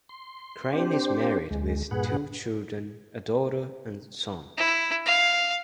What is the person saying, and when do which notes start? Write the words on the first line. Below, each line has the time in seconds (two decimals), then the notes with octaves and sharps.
Crane is married with two children, a daughter and son.
0.09 C6
0.73 C4 D4 G4 C5
1.51 D2 G#3
1.91 G2 A#2 G#4 B4 F#5
4.57 E4
5.06 F5